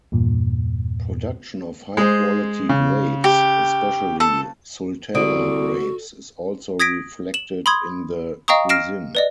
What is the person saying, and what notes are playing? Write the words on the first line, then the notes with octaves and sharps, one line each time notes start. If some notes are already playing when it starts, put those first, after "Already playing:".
Production of high quality grapes, especially Sultana grapes is also reflected in the cuisine.
E2 G2 A#2
G#3 C5
C#3
G4
A4
C2 D3 F#4 D5 D#6 D7
D#6 G#6 A#6 B6 D7
E7 F#7
B5 C6 D#6 G#6
D#5 F5 G5 A#5 C#6 D#6
F6 A#6 C7 D7 E7
B4 D5 D#5